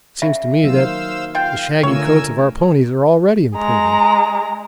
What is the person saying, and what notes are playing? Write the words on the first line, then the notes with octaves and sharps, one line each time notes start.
It seems to me that the shaggy coats of our ponies are already improving.
C#3 E5
D#3 F#3 A#3 C5 F5 E6
F4 F5 G5
D3 A3 F4 A#4 C#5 G#5 E6
G#3 A#5